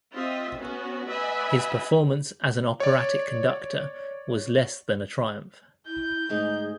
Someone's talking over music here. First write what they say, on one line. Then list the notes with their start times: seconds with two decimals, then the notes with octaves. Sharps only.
His performance as an operatic conductor was less than a triumph.
0.15 C4 F4 D#5 E5
0.59 B3 C#4 F#4
1.07 B4 D#5 E5 F#5 G#5 B5
2.80 C#5 D5
5.86 E4 G6
6.29 D2 G#2 D#4 G#4